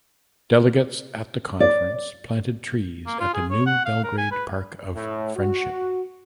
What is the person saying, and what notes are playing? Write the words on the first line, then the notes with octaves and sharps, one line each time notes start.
Delegates at the conference planted trees at the New Belgrade Park of Friendship.
D5
A#3
F4
G#4
C#5
F#5
F5
A#4
G#5
B4
A2
F#4